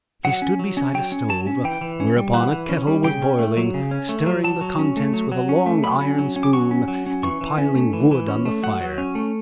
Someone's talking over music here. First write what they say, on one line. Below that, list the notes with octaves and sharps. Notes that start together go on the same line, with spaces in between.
He stood beside a stove--whereupon a kettle was boiling--stirring the contents with a long iron spoon, and piling wood on the fire.
F#3 F#5
C#4
F#3
C#4
F#3 G5
C#4
F#3 A5
C#4
E3 G5
E3
C#4
G3
E3 F#5
E3
C#4
G3
C#3 G5
C#4
A3
F#3
C#3
C#4
A3
F#3
F#3 A5
F#3
C#4
A3
F#3
F#3
C#4
A3
F#3 B5
C#4
F#3
C#4
D6
F#3 C#6
C#4
F#3
C#4
E3 C#6
E3
C#4
A3
E3
E3
C#4
A3
F#3 F#5
F#3
C#4
A3